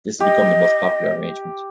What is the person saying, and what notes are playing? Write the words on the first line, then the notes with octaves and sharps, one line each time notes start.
This has become the most popular arrangement.
G4 D#5